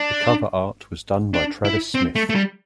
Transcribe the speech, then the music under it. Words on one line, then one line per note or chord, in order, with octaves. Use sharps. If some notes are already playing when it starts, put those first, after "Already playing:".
The cover art was done by Travis Smith.
Already playing: D4
D4
E4
C4
A3
A3
G3